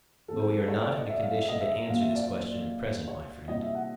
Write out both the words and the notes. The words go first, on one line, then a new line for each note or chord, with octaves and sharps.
But we are not in a condition to answer this question at present, my friend.
F2 D3 F#3 A3 C4 A4
C5
G4
A4
C#5
D5
D#5
E5
F5
E5
D#5
E5
A#1 A#2 F#3 A#3 F5
E5
D5
C#5
C2 A#2 G3 C4 D#5
E5
F#5